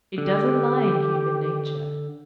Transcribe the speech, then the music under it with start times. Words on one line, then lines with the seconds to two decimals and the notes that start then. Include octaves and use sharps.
It doesn't lie in human nature.
0.18 D3 G4